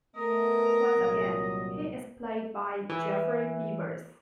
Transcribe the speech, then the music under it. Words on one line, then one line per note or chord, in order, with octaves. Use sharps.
Once again, he is played by Geoffrey Beevers.
A3 B3 A#4 D#5
C2 A#2 F#3
E3